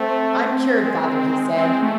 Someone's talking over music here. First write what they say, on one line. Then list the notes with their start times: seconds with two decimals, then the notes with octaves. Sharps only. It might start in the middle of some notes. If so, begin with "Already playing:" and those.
"I'm cured, father," he said.
Already playing: A3 C4
0.80 G#3
1.57 C4
1.82 A3